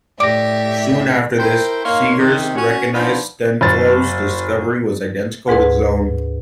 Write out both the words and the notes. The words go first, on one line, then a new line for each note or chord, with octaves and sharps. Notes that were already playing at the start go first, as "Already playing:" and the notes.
Soon after this, Seegers recognised Stenflo's discovery was identical with his own.
A2 G4 D5 E5 D6 A#6
E4 A#4 C5 G5
A#3 D#4 C#5 F5 C6
C3 D#3
C#4 F#4 C#5
F3 B3 D4 D#4 F4 B5
F#1 A6
D2 G#2 G#4 B4